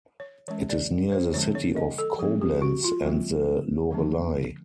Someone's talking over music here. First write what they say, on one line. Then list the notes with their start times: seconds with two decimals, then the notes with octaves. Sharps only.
It is near the city of Koblenz and the Lorelei.
0.20 C#5
0.48 E3 G#3 C#4 C#5
0.69 D5
1.12 C5
1.34 D3 F3 G#3 C#4 C#5
1.55 C#5
1.76 D#5
1.98 A4
2.19 F3 G#3 C4 G#4
2.42 G4
2.62 F#4
2.84 F4
3.05 F3 G#3 C4
3.91 D3 F3 A3 C#4